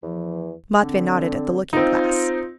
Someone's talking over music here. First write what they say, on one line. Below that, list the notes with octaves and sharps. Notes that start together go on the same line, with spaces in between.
Matvey nodded at the looking-glass.
E2 E3 F3
D3 C4
C4 D#4 F4